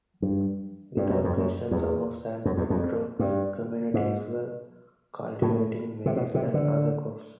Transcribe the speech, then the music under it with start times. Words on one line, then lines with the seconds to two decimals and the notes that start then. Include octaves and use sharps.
Without question, some of San Pedro communities were cultivating maize and other crops.
0.22 G2
0.97 G2
1.10 F#2
1.24 F2
1.38 F#2
1.71 E2
2.45 F#2
2.57 E2
2.70 F2
3.19 G2
3.94 G#2
5.42 A2
6.06 C3
6.16 B2
6.35 C3
6.54 D3